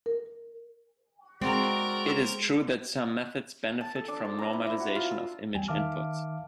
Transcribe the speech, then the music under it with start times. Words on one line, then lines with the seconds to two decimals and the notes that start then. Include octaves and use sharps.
It is true that some methods benefit from normalization of image inputs.
0.06 A#4
1.41 G#3 C4 F#4 A#4 D5 A#5
3.81 A5
3.96 A4
4.08 D4
4.25 C5
4.39 A#5
4.53 E4
4.67 E4
4.80 F#4
4.95 F4
5.11 E6
5.55 E2 G3 G5 G#5
5.68 D#3 E5 F5 A5 D6 F6